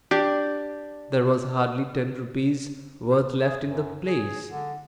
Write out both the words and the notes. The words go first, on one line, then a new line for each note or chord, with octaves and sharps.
There was hardly ten rupees' worth left in the place.
D4 G4
G#4
F#2
G#4
D3